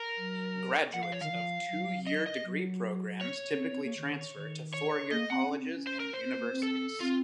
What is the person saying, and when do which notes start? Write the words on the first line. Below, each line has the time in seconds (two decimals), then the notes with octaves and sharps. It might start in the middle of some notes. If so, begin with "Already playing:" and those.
Graduates of two-year degree programs typically transfer to four-year colleges and universities.
Already playing: A#4
0.17 F#3
0.93 F3 F#5
1.03 F5
1.12 C#5
1.21 D#3 F5
1.31 F3
1.69 F#3
2.07 D#5
2.26 D#5
2.45 F#3
3.21 C#5
3.54 C#4
3.59 C4
3.72 C4
3.84 A#3
3.97 D#3
4.35 D#3
4.74 C#5
5.11 A#3 D#5
5.30 C4 F#5
5.49 C#4
5.61 C4
5.74 C#4
5.87 C5
6.00 A#4
6.13 C5
6.25 C4
6.38 A#3
6.52 C4
6.63 A4
7.01 C4 F4